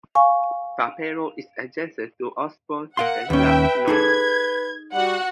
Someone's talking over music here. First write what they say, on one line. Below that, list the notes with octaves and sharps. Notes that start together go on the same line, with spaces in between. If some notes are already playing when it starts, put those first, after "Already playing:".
Taperoo is adjacent to Osborne and Largs North.
F5 G#5 C#6
A#4 F5 F#5 C6
D#2 C#4 B4 E5 G5
D#4 G#4 A4 G#6
G3 F#4 F#5